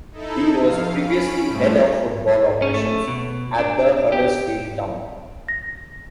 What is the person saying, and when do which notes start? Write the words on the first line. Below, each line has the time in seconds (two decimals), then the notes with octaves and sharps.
He was previously Head of Football Operations at Huddersfield Town.
0.12 D#4 E4 A4
0.59 F2 F5
0.98 C#4 B5 D7
1.46 A2 F3 G3 A3
2.62 C#4
2.74 A3
3.08 B2
3.58 D4
4.12 G4
5.48 A#6